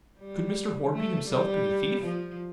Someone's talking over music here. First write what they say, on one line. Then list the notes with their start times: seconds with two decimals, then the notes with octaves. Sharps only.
Could Mr. Hornby himself be the thief?
0.19 G3
0.92 A3
1.29 G3
2.01 F3